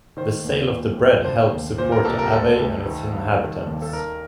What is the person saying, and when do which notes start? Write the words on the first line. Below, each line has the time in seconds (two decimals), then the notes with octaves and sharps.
The sale of the bread helps support the abbey and its inhabitants.
0.17 D#3 C5
0.44 D#2
0.71 A#2
0.98 C2
1.24 D3 C5
1.52 D#2
1.78 A#2 C5
1.92 A#4
2.05 C2 A4
2.19 A#4
2.32 D2 A4
2.59 D2
2.86 D#3
3.12 G2
3.40 D#3
3.66 D#2
3.82 A4
3.93 D#3 A#4